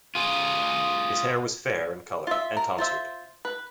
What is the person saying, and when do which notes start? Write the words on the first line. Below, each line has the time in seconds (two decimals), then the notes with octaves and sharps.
His hair was fair in color and tonsured.
0.15 F4 G#4
2.27 F4 E5
2.57 A#4
2.78 F4 C5 E5
3.45 B4